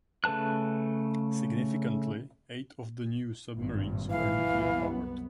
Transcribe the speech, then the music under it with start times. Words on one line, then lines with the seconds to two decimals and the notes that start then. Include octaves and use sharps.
Significantly, eight of the new submarines were nuclear-powered.
0.24 C#3 A3 B4 A5 F#6
3.57 G#1 G2 A#2
4.10 E3 F5
4.46 C2 F#2 B3